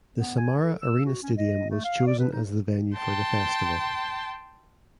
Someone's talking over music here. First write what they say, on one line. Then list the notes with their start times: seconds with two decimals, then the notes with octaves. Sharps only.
The Samara Arena stadium was chosen as the venue for the festival.
0.16 B3
0.37 G#5
0.63 A4
0.81 E6
1.05 F#4
1.23 C#4
1.37 D#5
1.69 A3
1.84 F5
2.07 D5
2.19 B4
2.32 D#4
2.94 G5 A5 C6